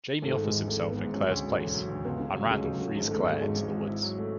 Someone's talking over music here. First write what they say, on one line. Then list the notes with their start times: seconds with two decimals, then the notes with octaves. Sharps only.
Jamie offers himself in Claire's place, and Randall frees Claire into the woods.
0.22 G#1 A3
0.37 G#2
0.45 G#3
0.53 E3
0.67 G#1 A3
0.83 G#1
0.90 B3
0.99 G#2
1.13 F#3 C#4
1.29 D2
1.44 D3
1.59 E1
1.74 F#3
1.89 D2
2.05 C#2 B3
2.20 C#3
2.35 F#3
2.50 C#2 G#3
2.66 C#2
2.73 F#3
2.81 C#3
2.96 G#1 G#3
3.08 A3
3.11 G#2
3.19 B3
3.26 F#3 A3
3.41 G#1 G#3
3.57 G#1
3.72 G#2
3.87 E4
4.03 F#3
4.18 A3